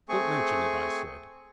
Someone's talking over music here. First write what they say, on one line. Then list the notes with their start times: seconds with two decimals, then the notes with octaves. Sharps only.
"Don't mention it," I said.
0.09 A3 C4 G#4 G#5 C#6